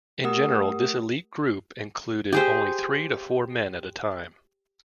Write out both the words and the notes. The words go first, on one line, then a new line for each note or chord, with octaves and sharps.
In general, this elite group included only three to four men at a time.
A3 G4 A#4 F#5 D#6
G4 G#4 C5